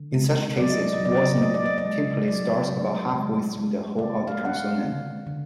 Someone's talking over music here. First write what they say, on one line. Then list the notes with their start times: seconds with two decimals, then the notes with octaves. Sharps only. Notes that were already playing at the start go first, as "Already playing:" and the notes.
In such cases, voicing typically starts about halfway through the hold of the consonant.
Already playing: D3
0.15 G#3
0.57 F#3 D5
0.70 D#5
0.82 D5
0.93 D#5
1.00 F#3
1.05 D5
1.17 D#5
1.30 D5
1.42 B3 D#5
1.54 D5
1.66 D#5
1.78 D5
1.85 G#3
2.28 F#3 D5
2.71 F#3
3.13 G#3
3.57 G#3
3.99 G#3 D5
4.27 F5
4.42 B3 F#5
4.55 F5
4.84 D3
5.27 D3